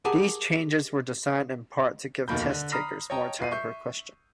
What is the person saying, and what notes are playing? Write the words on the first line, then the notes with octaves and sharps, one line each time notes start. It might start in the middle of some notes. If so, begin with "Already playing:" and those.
These changes were designed in part to give test-takers more time per question.
G4 G#4 A#4 F#5 G#5 A5
F1 D#2 B2 A#3 B5 G6
D3
A#5 B5 D#6 F6 A#6 C7
C#5 D#5 G5 A5 A#5
F4 B4 C7 D#7
E5 C#6 G6 C7